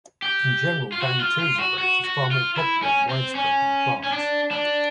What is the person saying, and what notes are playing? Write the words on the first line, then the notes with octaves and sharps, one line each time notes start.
In general, Van Til's approach is far more popular and widespread than Clark's.
G4
F4
F#4
F4
F4
F#4
F#4
F#4
F4
E4
C#4
C4
C#4
C#4
D4
D4